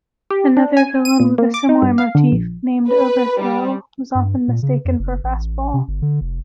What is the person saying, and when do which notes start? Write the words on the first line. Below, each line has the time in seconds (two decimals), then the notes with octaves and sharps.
Another villain with a similar motif, named Overthrow, was often mistaken for Fastball.
0.31 G4
0.57 D4
0.77 G#5
1.05 D#7
1.20 A#2
1.38 A#3
1.54 D6
1.69 D#4
1.82 G2
1.98 F5
2.15 D3
2.32 A#1
2.87 B4
3.40 G3
4.15 G2
4.48 A#2
4.63 C#3
4.85 F2
4.99 F#1
5.24 A1
5.73 C3
5.88 G1
6.02 D3
6.21 F1